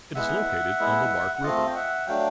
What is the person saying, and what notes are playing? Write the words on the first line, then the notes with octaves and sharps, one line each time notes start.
It is located on the Bark River.
G#3 B3 E4 E5 F#5
G#3 B3 E4
F#5
A3 C4 F4 D#5 F5
G5
E5 F#5
F#3 A3 D4 F5 G5